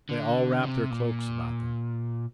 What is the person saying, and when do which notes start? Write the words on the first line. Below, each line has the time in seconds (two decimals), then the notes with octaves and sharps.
They all wrapped their cloaks about them.
0.09 D3
0.63 C3
0.90 A#2